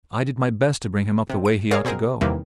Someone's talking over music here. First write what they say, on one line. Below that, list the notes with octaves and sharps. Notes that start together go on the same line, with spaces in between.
I did my best to bring him up the way he ought to go.
C3
D7
G#4 A#4 C#5 D5 F5
B2 C4 G#4 A#4
E2 C3 D#3 E3 G3 A#3